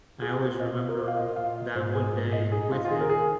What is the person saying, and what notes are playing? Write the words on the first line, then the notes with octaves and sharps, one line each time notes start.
I always remember that one day with him.
F4 G#4
C5
F4 D#5
D#5
A#4
F4 C5
F5
D#5
A#2 F5
D#5
G#2 C5
G#4
G#2
D#5
D#4 G#4
F4
F4
D#3 G#4
A#4
G#4